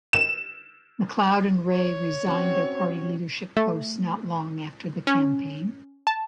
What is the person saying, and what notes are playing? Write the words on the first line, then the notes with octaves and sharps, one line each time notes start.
McLeod and Rae resigned their party leadership posts not long after the campaign.
E7
C#5
C4 C#4 F#4
A3
C#4
A5